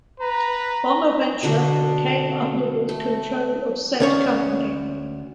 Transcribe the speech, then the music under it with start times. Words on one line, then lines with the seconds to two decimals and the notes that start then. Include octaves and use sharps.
Bonaventure came under the control of said company.
0.20 B4 A#5
1.43 B2 D3 D4 F#4
2.89 A3
4.00 D2 C#4 C#5